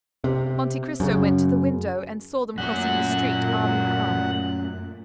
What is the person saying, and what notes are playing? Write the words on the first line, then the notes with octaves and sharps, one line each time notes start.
Monte Cristo went to the window, and saw them crossing the street, arm in arm.
C3
F#2 C#3
F#2 A#2 A3 F#4 F#5